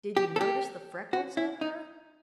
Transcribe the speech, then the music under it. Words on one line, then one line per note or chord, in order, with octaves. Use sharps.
Did you notice the freckles of her?
G4
A4
G4
F#4
E4
D#4